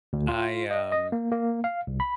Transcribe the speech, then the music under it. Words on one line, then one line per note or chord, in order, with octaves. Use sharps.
I, um,
D2
F4
D#5
D#5
A#3
A#3
F5
C2
B5